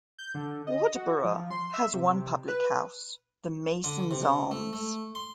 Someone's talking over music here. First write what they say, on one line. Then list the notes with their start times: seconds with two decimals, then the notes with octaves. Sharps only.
Wadborough has one public house, the Masons Arms.
0.18 G6
0.34 D3
0.67 D#5
0.95 F#4
1.24 F3
1.51 C6
1.74 E5
1.93 C3
2.09 C3
2.48 B4
3.84 D3
4.11 C3
4.51 A3
4.73 A3
5.15 C6